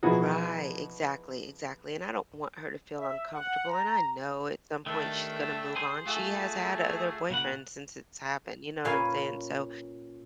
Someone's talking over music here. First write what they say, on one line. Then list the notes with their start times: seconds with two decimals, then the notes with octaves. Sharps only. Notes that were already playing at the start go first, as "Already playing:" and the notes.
right, exactly, exactly, and I don't want her to feel uncomfortable, and I know at some point she's gonna move on; she has had other boyfriends since it's happened, you know what I'm saying? So,
0.03 B2 E3 F3 D#4 F#4 G#4
2.98 E5
3.33 F#5
3.68 A#5
4.86 D#3 A3 D4 A4 G5
5.76 G#4 C5
6.06 A3 F4 F#4 G#4
7.30 A#2 C#3 F#5
8.85 A#2 C#4 B4 F5 G#5